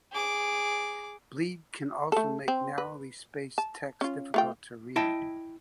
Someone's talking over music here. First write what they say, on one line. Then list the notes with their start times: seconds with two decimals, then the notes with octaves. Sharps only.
Bleed can also make narrowly spaced text difficult to read.
0.12 G#4 D6
2.12 A3 A4
2.48 C4
2.78 B4
3.58 A5
4.01 C#4 F4
4.34 A3 F4 G5
4.96 E4 D#5 G5 A5